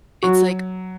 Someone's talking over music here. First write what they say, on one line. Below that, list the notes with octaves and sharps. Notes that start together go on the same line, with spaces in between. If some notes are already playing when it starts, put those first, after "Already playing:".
it's like,
F#3 F#4